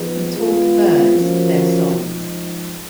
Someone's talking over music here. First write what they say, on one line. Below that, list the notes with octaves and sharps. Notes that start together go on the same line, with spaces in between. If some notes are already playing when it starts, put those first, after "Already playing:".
He taught birds their songs.
Already playing: F3 B3 D#4 G#4 B4
G#3 B3 F4
F3 A#3 C#4 F#4 A#4
F3 G#3 D#4